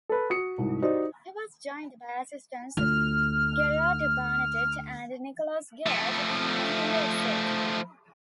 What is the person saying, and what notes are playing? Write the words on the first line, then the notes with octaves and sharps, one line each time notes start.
He was joined by assistants Gerard Bernadet and Nicolas Girard in making the exit.
A4 B4
F#4 D#6 C#7
C2 G#2
D#4 F#4 G4 C5 D5
D2 F4 F6
F3 A3